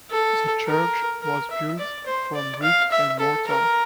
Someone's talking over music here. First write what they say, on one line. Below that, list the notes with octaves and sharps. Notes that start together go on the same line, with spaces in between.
The church was built from brick and mortar.
A4
A#4
A#4
E5
D5
C5
D5
F5
E5
A4
A#4